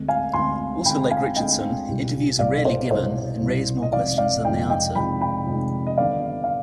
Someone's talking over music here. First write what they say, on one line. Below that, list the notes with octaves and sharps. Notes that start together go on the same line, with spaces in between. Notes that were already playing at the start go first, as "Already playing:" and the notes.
Also like Richardson, interviews are rarely given and raise more questions than they answer.
Already playing: D2 D3 G#3 C4
F5 G#5
D2 D3 G#3 C4 G#5 C6
D2 D3 G#3 C4 G5 B5
F5 G#5
D2 D3 G#3 C4 D#5 G5
C2 B2 G3
C2 B2 G3 D5 F5
C5 D#5
C2 B2 G3 C5 D#5
C2 B2 G3
D#5
F1 F2 D#3 G#3 C4 D5 F5
D5 F5
F1 F2 D#3 G#3 C4 D#5 G5
D#5 G5
F1 F2 D#3 G#3 C4 G5 B5
G5 B5
F1 F2 D#3 G#3 C4
D#5
D#2 D3 G3 B3 D5 F5
F5